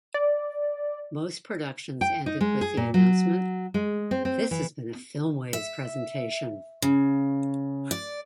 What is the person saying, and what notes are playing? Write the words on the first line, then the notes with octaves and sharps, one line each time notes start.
Most productions ended with the announcement, "This has been a Filmways presentation".
D5
G5
D#4
G#3
G#4
A#2
F#3
G#3
C4
C4
E3
E5
C#3
D5